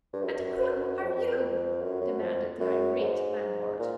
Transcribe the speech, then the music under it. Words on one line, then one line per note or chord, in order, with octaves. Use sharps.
"And who are you?" demanded the irate landlord.
G2
F#2
G2
F#2
F2
F#2
F#2
F2
F#2
G#2
A#2